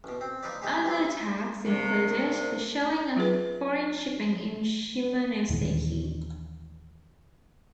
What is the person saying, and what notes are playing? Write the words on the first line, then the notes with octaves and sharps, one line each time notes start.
Other attacks included the shelling of foreign shipping in Shimonoseki.
A1 B2
C4
F3 D#4 F4 B4 D5
G#3 A3 D#4 G4 G#4
E3 G3 C4
G2 C3 A#4
F#3 F4 G#4 B4
D#2 A#2 D#3 E3